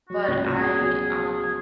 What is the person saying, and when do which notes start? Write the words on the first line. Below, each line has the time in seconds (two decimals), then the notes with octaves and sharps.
But I, um
0.09 F#3 F#4
0.28 C#2
0.46 C#2
0.58 G#4
0.64 B2
0.82 F#3 G#4